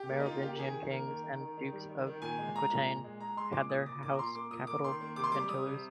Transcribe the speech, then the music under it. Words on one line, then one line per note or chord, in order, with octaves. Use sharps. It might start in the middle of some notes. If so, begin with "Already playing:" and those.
The Merovingian kings and dukes of Aquitaine had their capital at Toulouse.
Already playing: G4
A#3
D#4
A#3 F4
A#3 G4
A#4
D#3 G#4
D#3
A#3 A#4
D#3
D#3
D#3
D#3
G3
D#3
D#3
A#2 G#5
G#3
G#3 A#5
A#2
A#2
G#3
G#3 A#5
G#3 C6
A#2 D6
A#2 D#6
F3 D6
A#2 D6
A#5
A#2 C6
A#3 D6
A#2 D#6
A#3 D6
D#3 C6
A#3
C3 D6
C6
G3 D6
G3 D#6
C3